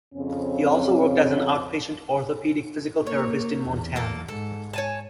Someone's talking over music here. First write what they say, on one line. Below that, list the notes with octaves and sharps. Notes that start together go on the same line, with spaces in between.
He also worked as an outpatient orthopedic physical therapist in Montana.
F2 C#3 C4 C#4
A#3 C#5
E2
A#3 A4
G#2 A4
C#5 G#5 A5